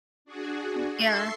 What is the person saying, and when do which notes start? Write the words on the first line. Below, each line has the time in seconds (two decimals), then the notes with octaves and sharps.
Hmm, yeah.
0.25 D4 F#4 G#4
0.92 A4 E5 C6 C#6 C7